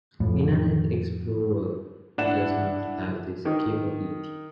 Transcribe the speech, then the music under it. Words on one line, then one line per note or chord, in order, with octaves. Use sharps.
Internet Explorer does not have this capability.
F2 A2
D4 E4 F#5 E7
D#3